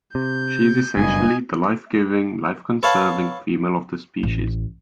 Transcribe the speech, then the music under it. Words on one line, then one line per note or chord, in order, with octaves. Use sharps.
She is essentially the life-giving, life-conserving female of the species.
C3 G6
F#1 G2 B2 D#5 G#5
A4 B4 C#5 F5 F#5 A5
A1